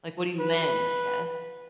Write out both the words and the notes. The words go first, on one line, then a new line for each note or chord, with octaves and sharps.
Like, what do you win, I guess?
B4